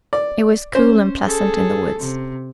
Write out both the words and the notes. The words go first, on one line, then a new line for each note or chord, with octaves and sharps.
It was cool and pleasant in the woods.
D5
C#4 C5
G#4 A4
C3